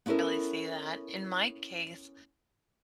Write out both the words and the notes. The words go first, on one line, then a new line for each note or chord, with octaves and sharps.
Really see that. In my case,
B3 C#4 E4 A4 A#4